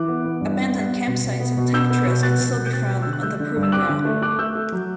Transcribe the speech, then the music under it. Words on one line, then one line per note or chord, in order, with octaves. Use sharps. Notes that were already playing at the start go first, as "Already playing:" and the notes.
Abandoned campsites and tank trails can still be found on the proving ground.
Already playing: E3 D6 F#6
B3
B3
G2
B3
B3
G3
B2
B2
B3
B2
B3 E6 G6
B3
B2
B2 F#6 A6
B2
B2
G6
C4 F#6 A6
A3
D3 E6
F#6
A3 E6 G6
D3
G2
E6
C4 D6 F#6
D3
A3
A3 D6 F#6
A3 E6 G6
A3
F#3